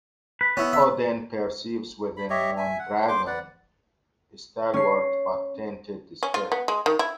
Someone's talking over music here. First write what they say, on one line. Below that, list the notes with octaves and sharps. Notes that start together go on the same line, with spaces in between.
Odin perceives within Moondragon a stalwart but tainted spirit.
B4
B3 C#4 E4
E5
B5
G4 C#5 D#5 E5
E5 G#5
F#5
C5 C6 D6
B4 D5 F#5
C#4 C7
C#4
F4
B3
G#3
D#3
E4